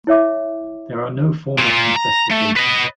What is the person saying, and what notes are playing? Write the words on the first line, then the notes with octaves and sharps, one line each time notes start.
There are no formatting specifications.
E4 C#5 E5 D6
A#2 F4
A#5
A3
B4 D#5